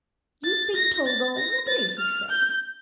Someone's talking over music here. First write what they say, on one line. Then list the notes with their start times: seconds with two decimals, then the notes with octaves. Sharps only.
'You have been told already?' he said.
0.45 A6
0.75 A#6
1.07 A6
1.38 A#6
1.68 A6
1.99 F6
2.30 G6